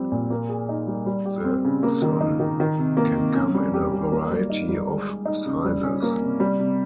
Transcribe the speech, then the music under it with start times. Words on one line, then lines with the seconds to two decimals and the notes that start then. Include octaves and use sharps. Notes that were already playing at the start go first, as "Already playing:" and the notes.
The xun can come in a variety of sizes.
Already playing: F3 G3 C4 G4
0.12 A#2
0.30 A#3
0.49 G#4
0.69 D#4
0.87 G3
1.06 G3
1.25 G4
1.44 C4
1.65 C#3
1.83 A#3
2.02 D#3
2.21 D#4
2.40 D#3
2.60 D#3
2.78 C3
2.97 A#3
3.16 C3
3.35 C#4
3.55 G3
3.74 G4
3.93 G3
4.12 A#3
4.31 G3
4.50 D#4
4.69 G3
4.88 G#3
5.07 G#4
5.26 D#4
5.46 C#3
5.64 G3
5.84 C#4
6.03 A#3
6.21 C3
6.40 G3
6.59 C3